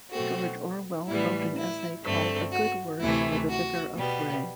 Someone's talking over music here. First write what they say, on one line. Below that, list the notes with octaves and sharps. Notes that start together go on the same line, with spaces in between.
George Orwell wrote an essay called A Good Word for the Vicar of Bray.
B2 F#3 A3 C4 F#4
A2 E3 G3 B3 E4
E4
G2 D3 A3 C4
F#4
D2 C3 E3 A3 E4
F#4
B2 G3 B3